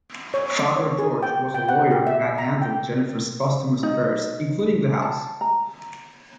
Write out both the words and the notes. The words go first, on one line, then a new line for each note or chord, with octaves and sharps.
Father George was a lawyer who had handled Jennifer's posthumous affairs, including the house.
C#5
C#5
G#4
G5
G5
F#5
G4
E5
A#5
G5
D#4
A5
A#5